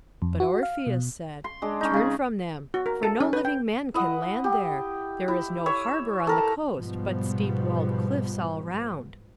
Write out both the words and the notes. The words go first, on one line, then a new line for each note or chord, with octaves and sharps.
But Orpheus said: "Turn from them, for no living man can land there: there is no harbour on the coast, but steep-walled cliffs all round."
F2
F#4
F5
B2
C6
G#3 D4
C#4 D#4
C#3 G#4
F#4
A#4
A4
C#4
B4
G5
E4 D#5 F#5
G4
E4
C#5 E5
A4 A#4 A5
G#2 B2 F3 G3 B3